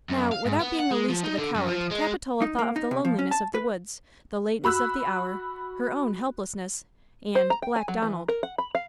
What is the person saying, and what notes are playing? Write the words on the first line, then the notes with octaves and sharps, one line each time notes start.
Now, without being the least of a coward, Capitola thought of the loneliness of the woods, the lateness of the hour, her own helplessness, and--Black Donald!
F#2
F5
G#2
B3
F#5
G#3
F3
D#4
D3
F#2
F3
G#3
D#4
A#3
D#4
C3
F3
C#4
A5
B4
F#4 B5 E6 F#6
C5
A#5
G5
G#5
F#3
E3
A#4
F#5
B5
F5